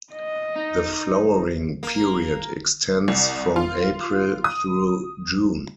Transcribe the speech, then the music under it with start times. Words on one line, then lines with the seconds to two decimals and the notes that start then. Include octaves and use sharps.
The flowering period extends from April through June.
0.13 D#5
0.56 D#4
1.83 A#3
3.08 C2
3.56 F4
4.44 D#6